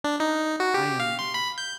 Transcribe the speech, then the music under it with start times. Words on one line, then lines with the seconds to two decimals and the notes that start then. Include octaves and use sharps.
I am
0.04 D4
0.20 D#4
0.60 F#4
0.74 G4
1.00 F5
1.19 C6
1.34 B5
1.58 G6